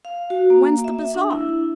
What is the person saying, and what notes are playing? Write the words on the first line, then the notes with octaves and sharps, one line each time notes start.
'When's the bazaar?'
F5
F#4
A#3
E5
D4
E4